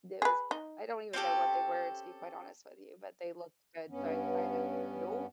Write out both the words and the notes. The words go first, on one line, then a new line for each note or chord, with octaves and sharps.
there was I don't even know what they were, to be quite honest with you, but they looked good, so, I tried them nope,
G#4 B4
D#4
C4 C#4 G4 A4
G2 B3 C#4